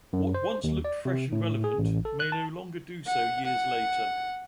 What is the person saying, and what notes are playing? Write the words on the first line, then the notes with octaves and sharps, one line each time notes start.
What once looked fresh and relevant may no longer do so years later.
F#2
C5
D#2
D5
C3
A2
G#4
A1
A4
F#6
A5
F#5
F#5